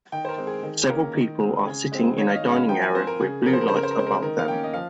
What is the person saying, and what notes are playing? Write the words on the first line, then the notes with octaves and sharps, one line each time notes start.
Several people are sitting in a dining area with blue lights above them.
D#3 G5
C5
A#4
G#3 C4
G#4
D#3 G#4
A#3 C#4 A#4
D#3
G#3 C4
C#3 G#4
G#3 C4
D#3 C#5
F5
D#5
G#3 C#4
F5
F3 G5
G#5
C4 C5
A#4
C#3 G#4
F3 C4 A#4
C5
A#4
C5
C#3 A#4
C5
A#4
G#3 C4 C5
A#4
D#3 A#4
F5
A#3 C#4 G5
D#5
F3 F5